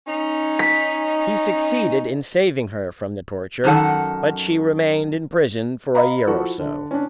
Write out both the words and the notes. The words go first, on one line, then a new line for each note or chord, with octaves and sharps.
He succeeded in saving her from the torture, but she remained in prison for a year or so.
C#4 D#4
B6
F#2 D#3 A4 F#5
D#5 F5 A#5 B5
F3 E4 F#4 A4
D3
C#4 D4